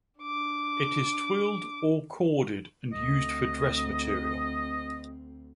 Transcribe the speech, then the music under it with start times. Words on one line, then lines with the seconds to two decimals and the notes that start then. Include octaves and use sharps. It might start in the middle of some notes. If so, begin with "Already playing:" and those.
It is twilled or corded and used for dress-material.
0.21 D4 D6
2.93 D2 C4 D#5